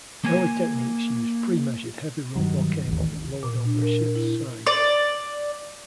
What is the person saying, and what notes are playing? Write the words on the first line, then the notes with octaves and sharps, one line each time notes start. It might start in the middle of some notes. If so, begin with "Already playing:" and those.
Early techniques used pre-measured heavy rope or cable lowered over a ship's side.
A#3 G#5
G2 D#3 F#3
A1 D#2
A#2
D4
A#4
E4
D5